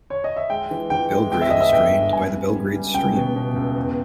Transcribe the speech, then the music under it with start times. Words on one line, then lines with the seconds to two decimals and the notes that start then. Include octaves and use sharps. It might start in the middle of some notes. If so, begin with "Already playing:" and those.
Belgrade is drained by the Belgrade Stream.
0.10 C#5
0.24 D#5
0.36 E5
0.50 G#3 G5
0.71 E3
0.90 E3 G5
1.11 G#3
1.32 G#3 G5
1.41 E5
1.50 G1 D#5
1.61 E5
1.72 G1 G5
1.93 G2
2.13 G3 G#5
2.34 C#2
2.54 G3
2.74 G3
2.94 C#2 G5
3.15 B2
3.36 B2
3.56 C#2
3.77 E2